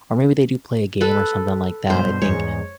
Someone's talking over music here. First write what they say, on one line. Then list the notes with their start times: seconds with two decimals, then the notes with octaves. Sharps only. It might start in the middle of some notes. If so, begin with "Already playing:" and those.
or maybe they do play a game, or something like that. I think
1.01 A4 B4
1.90 G2 B2 C5
2.22 E2 G#2 C#5